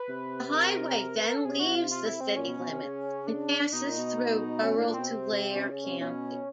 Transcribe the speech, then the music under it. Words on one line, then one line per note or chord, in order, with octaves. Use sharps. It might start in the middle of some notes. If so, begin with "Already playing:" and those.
The highway then leaves the city limits and passes through rural Tulare County.
Already playing: B4
C3
A#4
B4
A#4
A4
C3 G#4
F#4
F4
F4
E4
C4
A#2 C#4
B2
B2
C3
C#3
D4
B2 D#4
A#2
B2
C#4
A2 D4
A#2
B2 C4
C3
C3
C3 C#4
C#3
C3
B2 C#4